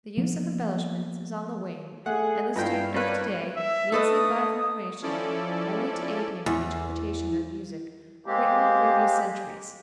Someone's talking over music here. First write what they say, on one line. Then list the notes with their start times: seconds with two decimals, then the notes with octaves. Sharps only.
The use of embellishments is on the wane, and the student of to-day needs the above information only to aid him in the interpretation of music written in previous centuries.
0.17 F3 A#3 B3
2.06 A3 G#4 F#5
2.56 G2 B3 E4 F4 F5 G5 A#6
2.94 G3 A#3 B4 C#5 D5
3.56 E5
3.92 A3 A4 B4 D#5 D#6
5.02 F3 C#4 E4 A4 D5
6.46 E2
8.26 G#3 A#3 C4 G4